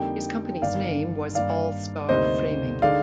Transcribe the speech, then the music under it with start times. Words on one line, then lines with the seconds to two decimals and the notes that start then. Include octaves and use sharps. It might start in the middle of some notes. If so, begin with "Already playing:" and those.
His company's name was All Star Framing.
Already playing: F2 D3 G3 A#3 D#4 G5
0.62 G1 G2 D#3 D5 F5
1.35 G2 D#3 A#3 D#4 D5 F5
2.08 D2 C3 G3 A#3 D#4 C5 D#5
2.82 D3 G#3 D#4 D5 F5